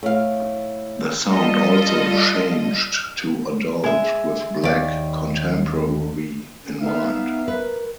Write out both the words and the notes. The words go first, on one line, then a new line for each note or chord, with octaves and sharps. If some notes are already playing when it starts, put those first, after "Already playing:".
The sound also changed to adult with black contemporary in mind.
A2 F5
G3 F4 A4 D#5
G#3 E5
D#2 D5
C#4
B3 D#4 E5 F5
A#4 B4